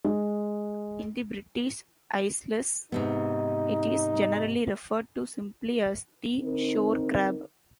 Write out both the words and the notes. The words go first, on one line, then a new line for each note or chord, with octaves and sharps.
In the British Isles, it is generally referred to simply as the "shore crab".
G#3
G#2 C3 B3 D#4
D3 C4 D#4 A#4